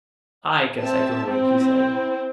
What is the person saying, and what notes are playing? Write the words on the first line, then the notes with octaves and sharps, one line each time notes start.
"I guess I can wait," he said.
C4 E5 A5
C4 E4